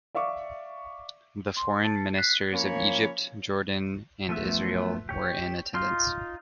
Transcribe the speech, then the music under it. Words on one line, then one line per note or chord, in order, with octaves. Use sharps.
The foreign ministers of Egypt, Jordan and Israel were in attendance.
D5 E5 F5 C#6 D6
C6
A5 A6
F#6 B6 C7
F3 A#3 C#4 C#5 B5
F3 A3 B3 E5
G4 C#5
D#4 F4 C6